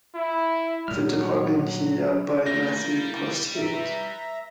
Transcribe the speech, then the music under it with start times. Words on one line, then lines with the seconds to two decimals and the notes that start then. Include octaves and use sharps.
The department headed up by Matthew Postgate.
0.15 E4
0.88 A#2 F#3 G3 F6
2.46 G3 A3 A#3 G6 A#6
2.84 E4
3.56 B4 E5 A#5